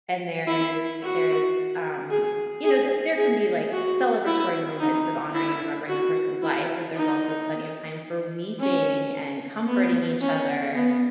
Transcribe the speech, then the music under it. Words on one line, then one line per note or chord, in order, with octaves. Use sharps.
and there is there is, um, you know, th there can be, like, celebratory moments of honoring and remembering the person's life, but there's also plenty of time for weeping and comforting each other.
E4
F#4
G#4
G#4
G#4
F#4
E4
D#4
E4
F#4
E4
D#4
C#4
B3
C#4
B3